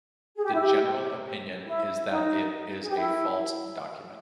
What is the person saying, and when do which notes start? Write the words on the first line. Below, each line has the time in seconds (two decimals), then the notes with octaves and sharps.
The general opinion is that it is a false document.
0.36 G#4
0.44 G4
0.53 E4
0.61 G4
1.66 E4
2.09 D#4
2.82 G#4
2.89 G4
2.97 E4